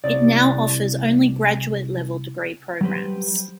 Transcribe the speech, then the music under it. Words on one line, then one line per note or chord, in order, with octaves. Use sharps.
It now offers only graduate-level degree programs.
C2 D5
F#3 G3 G4 B4 C5